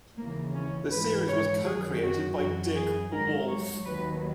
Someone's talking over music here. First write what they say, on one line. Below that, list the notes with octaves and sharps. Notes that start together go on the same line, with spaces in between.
The series was co-created by Dick Wolf.
D#2 C#3 E3 A#3
C#4
G#2 E3 B4
C#5
F#2 D#3 F#3 G#4
F#4
F#2 E3 F#4
G#4
G#2 F#3 A#4
C#5
D#2 D#3 F#3 B4